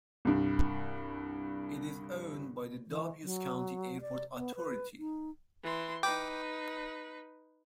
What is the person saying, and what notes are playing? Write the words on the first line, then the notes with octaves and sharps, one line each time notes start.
It is owned by the Dubois County Airport Authority.
C2 G2
E3
F#3
D5
B3
B4
D#4
E3 C6
D#4 B4 G5 D6 G6